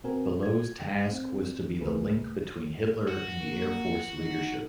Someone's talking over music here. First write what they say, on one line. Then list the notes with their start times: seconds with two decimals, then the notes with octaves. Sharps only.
Below's task was to be the link between Hitler and the air force leadership.
0.04 B2 B3 C4 F#4 A#4 G#5
0.43 G#6
1.11 C4
1.80 C#2 A3 G#4 A#4 B4
3.08 F#4
3.41 A#3
4.18 D#4